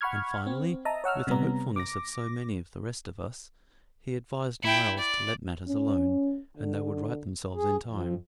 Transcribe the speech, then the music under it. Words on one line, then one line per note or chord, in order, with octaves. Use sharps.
And, finally, with the hopefulness of so many of the rest of us, he advised Myles to let matters alone, and they would right themselves in time.
F#5 B5 C#6 F6 G#6
C4
D#5 E5 A5 A#5 D#6
C#5 F#5 E6 F6
C3 G3 B3 A#5
D6 A#6
E4 G5
D5
C#4
D3
G#4
F2